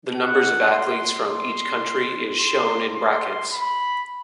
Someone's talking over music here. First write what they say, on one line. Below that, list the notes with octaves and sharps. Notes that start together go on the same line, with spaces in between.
The numbers of athletes from each country is shown in brackets.
F#5
C6
C6
C6
C6
B5